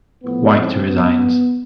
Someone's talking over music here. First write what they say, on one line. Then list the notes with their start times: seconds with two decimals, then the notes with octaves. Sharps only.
White resigns.
0.23 A2 F3 B3
0.55 C4
0.87 B3